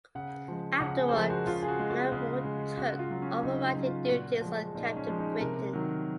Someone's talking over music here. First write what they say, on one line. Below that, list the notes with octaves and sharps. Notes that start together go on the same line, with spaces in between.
Afterwards, Alan Moore took over writing duties on "Captain Britain".
C#3 F#5
F3 G#3
C#3 F#5
G#4
C5
F3 G#3 A#4
F#4
C#3 F4
G#4
F#4
G#3
F#4
C#3
G#3
C#3 F#4
F4
F#3
C#4
C#3 D#4
F4
F#3
F4
F4
A#2 F#4
F3 G#3
A#2 D#4
C#4
F3 G#3
D#4
C3 A#4
D#3 F#3